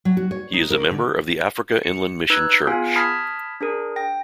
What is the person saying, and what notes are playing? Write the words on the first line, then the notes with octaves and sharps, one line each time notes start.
He is a member of the Africa Inland Mission Church.
F#3
F#4
C#5
D#4
A#4
D3
C#7
D#4 B4 E6 F#6 G#6
B3 F4 G#4 F5 G#5
A5 B5 D#6 F6 G#6 B6
D4 G#4 A#4
G5 A#6